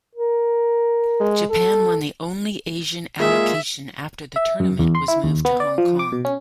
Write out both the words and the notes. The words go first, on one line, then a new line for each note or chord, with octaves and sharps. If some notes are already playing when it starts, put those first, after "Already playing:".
Japan won the only Asian allocation after the tournament was moved to Hong Kong.
A#4
G#3
A4
G#3 A#3 F4 G#4 E5
E5
F#2
E2
C6
E4
D#2
B3
D5
F3
D6
B2
C#4